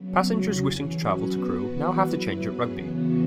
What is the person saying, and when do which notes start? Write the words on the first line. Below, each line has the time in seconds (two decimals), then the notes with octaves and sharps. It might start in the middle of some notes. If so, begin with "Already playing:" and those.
Passengers wishing to travel to Crewe now have to change at Rugby.
Already playing: C#3 F#3 B3
0.24 E2 C#3 F#3 C#4 F#4
0.58 E3 C#4 G#4
0.94 F#3 C#4 F#4 B4
1.29 B2 B3 F#4 B4
1.64 E3 G#3 B3 F#4 B4
1.99 F#3 E4 B4
2.34 F#2 F#3 B3 G#4 B4
2.70 E2 C#3 E3 B3 F#4